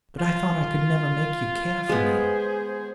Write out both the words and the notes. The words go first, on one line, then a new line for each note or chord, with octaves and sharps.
But I thought I could never make you care for me.
F4
G#3 B3 G#4 C5